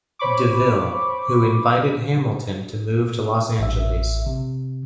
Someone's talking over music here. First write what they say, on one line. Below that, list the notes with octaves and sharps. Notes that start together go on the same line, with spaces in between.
DeVille, who invited Hamilton to move to Los Angeles.
C5 C#5 B5 C#6 D6
A1 E5
C3